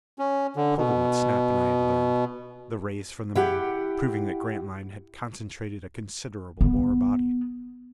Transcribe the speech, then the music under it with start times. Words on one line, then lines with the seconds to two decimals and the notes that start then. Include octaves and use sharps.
I told him what Snap and I had learned: the rays from the Moon, proving that Grantline had concentrated a considerable ore body.
0.19 C#4
0.56 D3
0.77 B2
3.35 E4 G4 F#5 G5
6.61 B3